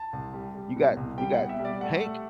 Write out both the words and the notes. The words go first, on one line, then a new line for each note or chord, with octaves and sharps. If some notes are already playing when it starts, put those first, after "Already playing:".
you got you got Hank
Already playing: A5
C2
G3
G3
B2
C2
G3 G5
B2 F#5
E5
G3
D5
A3 F#5
A3